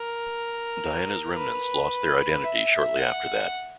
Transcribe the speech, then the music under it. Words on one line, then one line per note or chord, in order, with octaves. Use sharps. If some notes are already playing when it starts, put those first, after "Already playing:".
Diana's remnants lost their identity shortly after that.
Already playing: A#4
B4
E5
F#5